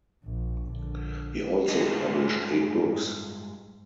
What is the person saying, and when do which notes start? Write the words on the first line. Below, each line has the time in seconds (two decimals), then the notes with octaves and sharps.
He also published eight books.
0.25 A#1
0.67 A#1 D3
1.68 G2 G#3 F4 G#4 D#5